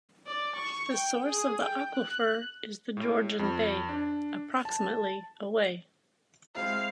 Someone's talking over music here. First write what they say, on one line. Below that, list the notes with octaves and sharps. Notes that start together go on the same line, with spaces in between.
The source of the aquifer is the Georgian Bay, approximately away.
D5
C#6
G5
G#4
G5
F#6
A2
F2
D4
A5
G#3 C4 E4 F5